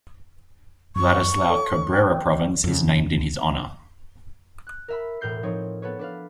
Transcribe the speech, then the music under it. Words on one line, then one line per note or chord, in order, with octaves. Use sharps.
Ladislao Cabrera Province is named in his honour.
F#2 C#6
A4 C#5
G5
F2 C#3
F#6
A#4 E5 B5
E1 A2 A#4 G6 C7
F3 C4 D#4 C#5
B3 A4 B4 C#5
D4 B4 F5